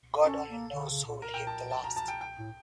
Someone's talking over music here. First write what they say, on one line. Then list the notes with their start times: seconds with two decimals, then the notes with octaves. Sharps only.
God only knows who will hit the last.
0.23 C#4 A4
0.48 A#3
0.73 D3
0.90 C#3
1.06 A#2
1.22 A#2 A#4
1.34 G5
1.47 A5
1.71 A5
1.84 A#5
1.96 A5
2.08 G5
2.21 G5
2.38 A2